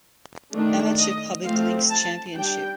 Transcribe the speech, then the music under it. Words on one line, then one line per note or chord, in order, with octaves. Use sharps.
Amateur Public Links Championship.
D#3 A3 D4
D#5
F3 A3 C4 F5
A5
G3 D4 G5